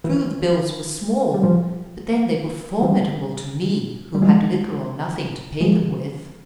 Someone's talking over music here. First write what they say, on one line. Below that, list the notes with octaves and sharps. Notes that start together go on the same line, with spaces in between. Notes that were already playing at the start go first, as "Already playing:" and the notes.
It is true, the bills were small, but then they were formidable to me, who had little or nothing to pay them with.
E3
G3
F3
E3 G3
G3
F3 G#3
F3 G#3